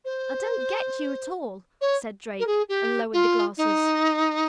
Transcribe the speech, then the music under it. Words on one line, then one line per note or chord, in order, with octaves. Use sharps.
"I don't get you at all," said Drake, and lowered the glasses.
C5
C#5
A#4
G#4
G4
F4
D#4